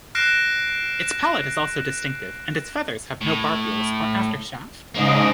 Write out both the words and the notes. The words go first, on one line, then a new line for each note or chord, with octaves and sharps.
Its palate is also distinctive, and its feathers have no barbules or aftershaft.
F6 F#6 A#6 C7 D7 E7
A2
G#2 C#3 A#3 D4 D#5